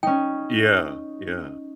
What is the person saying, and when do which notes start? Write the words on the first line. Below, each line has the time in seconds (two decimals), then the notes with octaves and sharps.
Yeah. Yeah,
0.03 C#4 D#4 G5